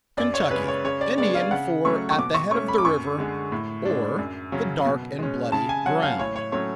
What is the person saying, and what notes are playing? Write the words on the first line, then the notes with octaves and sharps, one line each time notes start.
Kentucky--Indian for "at the head of the river," or "the dark and bloody ground."
F#2 D5
C#5
C#3 G#3 B4
C#5
C#3 C#5
D5
G#3 B3 D4 D5
F5
C#3 F#5
F#3 A3 C#4 C#6
C#6
B2 D6
C#6
A3 C#4 C#6
B5
D6
F#2 C#6
D3 G#3
A2
G#3 D4
F#2
C#3 F#3 C#4
B2
G#3 C#4
C#3 A5
G#5
F#3 C#4 F#5
F5
A2 C#5
C#5
F#3 A3 C#4 C#5